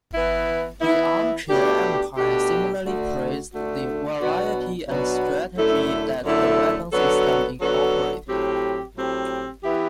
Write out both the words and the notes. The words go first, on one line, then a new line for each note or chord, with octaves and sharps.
The Armchair Empire similarly praised the variety and strategy that the weapon system incorporated.
E3 B3 E4
E3 B3 E4
B2 A3 D4 G4
B2 A3 D4 G4
D2 D3 A3 D4 F#4
D2 D3 A3 D4 F#4
B2 F#3 B3 D4 F#4
B2 F#3 B3 D4 F#4
F#2 D3 A3 E4 A4
F#2 D3 A3 E4 A4
D3 F#3 B3 F#4 A4
D3 F#3 B3 F#4 A4
A2 F#3 C4 G4
A2 F#3 C4 G4
E3 B3 E4 G4